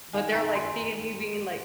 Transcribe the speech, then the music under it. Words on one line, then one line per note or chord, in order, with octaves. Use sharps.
But they're like seeing me being like
D#3 F5 G#5
D#3 G5 A#5
D#3 G#5 C6